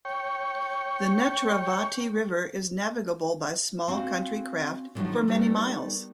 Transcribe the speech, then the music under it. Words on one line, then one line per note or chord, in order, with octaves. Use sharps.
The Netravati River is navigable by small country craft for many miles.
C#5 G5
C4 C#4 F#4 F5
D3 D#3 F3 F#3 A3 D#4
G3 A3 B3 D#4 A#4